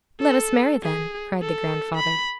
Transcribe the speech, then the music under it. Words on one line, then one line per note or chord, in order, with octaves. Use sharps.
"Let us marry, then," cried the grandfather.
A4
G#4
A4
B5